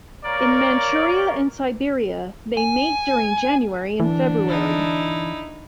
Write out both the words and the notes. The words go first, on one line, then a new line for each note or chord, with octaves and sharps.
In Manchuria and Siberia, they mate during January and February.
A#3 A#4 C#5 D5
G#5
D3 E3 D4
D#4 E4